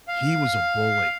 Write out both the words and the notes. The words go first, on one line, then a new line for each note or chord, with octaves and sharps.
he was a bully.
F5